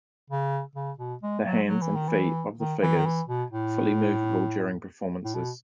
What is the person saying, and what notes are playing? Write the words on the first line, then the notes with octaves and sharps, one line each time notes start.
The hands and feet of the figures are fully movable during performances.
C#3
C#3
B2
G#3
F#3
F#3
E3
D#3
E3
D#3
E3
D#3
E3
B2
A2
A2
B2